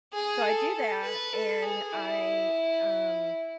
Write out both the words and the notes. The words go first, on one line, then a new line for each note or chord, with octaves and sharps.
So, I do that, and I, um,
G#4
A4
A4
B4
A4
G#4
E4